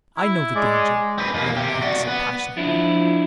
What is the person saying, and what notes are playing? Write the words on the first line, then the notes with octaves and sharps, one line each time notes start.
"I know the danger," the young man said passionately.
E4
G#3 D5
C4 B4
D#2 A#3
C3 G4
F#4 D5
B3
F3 D4 E4 F4